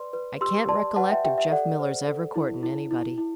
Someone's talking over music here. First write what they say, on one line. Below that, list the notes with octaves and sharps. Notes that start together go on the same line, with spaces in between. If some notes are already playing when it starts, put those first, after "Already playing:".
I can't recollect of Jeff Miller's ever courting anybody.
Already playing: B4 D5 C6
B4
G4 C6 E6
D5 A5 C6
B4 F#5 A5
E5 G5
G4 E5 G5
E5
A4 D5 F#5
C5
A4
E4
E4
E4
E4